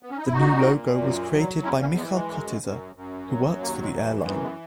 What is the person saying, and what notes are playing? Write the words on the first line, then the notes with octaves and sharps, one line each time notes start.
The new logo was created by Michal Kotyza, who works for the airline.
B3
C#4
D#4
E4
A#2 D#4 F#4
A#2
F#2
F#3
E2 C#4 E4
A#3 C#4
E3 G#3 B3
G#3
F#2
F#2
F#2
F#3
D#2 A#3
G#3
E3
F#2 G#3 B3
G#3 B3